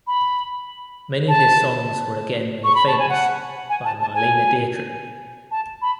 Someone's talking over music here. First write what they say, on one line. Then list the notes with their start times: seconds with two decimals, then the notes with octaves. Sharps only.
Many of his songs were again made famous by Marlene Dietrich.
0.07 B5
1.29 A5
2.64 C#6
2.75 B5
2.87 A5
2.99 G#5
3.09 F#5
3.70 G#5
3.85 A5
4.01 A5
4.15 G#5
5.51 A5
5.82 B5